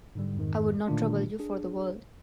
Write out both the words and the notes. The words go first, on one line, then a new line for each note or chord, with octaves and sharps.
I would not trouble you for the world.
G#2 D3 G3
F2 G#2 D#3
A#2 D3 D#3 A3 D4 F4
D4 G#4